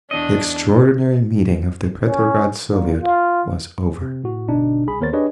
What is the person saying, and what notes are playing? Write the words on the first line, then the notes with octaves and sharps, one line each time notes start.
The extraordinary meeting of the Petrograd Soviet was over.
E2 D4 D#5
C#4
A#2
F4
C3
A2 F#4
G1 B2 D4 D#4
C2 G#4 B5
D#2 B3 A#4 C5 C#5 A6
D4 G4 G#4 B4 C#5 D#5